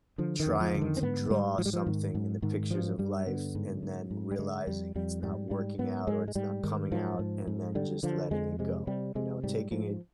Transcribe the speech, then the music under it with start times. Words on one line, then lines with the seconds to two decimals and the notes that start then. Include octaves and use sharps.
Trying to draw something in the pictures of life and then realizing it's not working out or it's not coming out and then just letting it go, you know, taking a
0.18 D3 F3
0.40 D#3
0.46 F2
0.61 F3
0.75 D3
0.82 D#3
0.97 C4
1.03 G#2 B3
1.26 G#3
1.30 G#2 G3
1.58 G#2 F3
1.65 G3
1.73 F3
1.87 G#2 D#3
2.15 G#2
2.42 G#2 D#3
2.71 G2 F3
2.99 G2 G3
3.27 D3 B3
3.55 G#2
3.83 G#2
4.11 G#2
4.31 G3
4.39 D3 G#3
4.67 F2 G3
4.95 F2 G3
5.23 G#2 G3
5.51 G#2 G3
5.79 G#2 B3
6.07 G#2 G#3
6.28 G#3
6.35 G#2 G3
6.63 G#2 D#3
6.92 G#2 F3
7.19 G#2
7.47 G#2
7.75 D3 G3
8.03 D3 F3
8.31 F2 G#3
8.59 C3 G#3
8.87 C3 G3
9.15 C3 G#3
9.44 G#2 G3
9.72 G#2 F3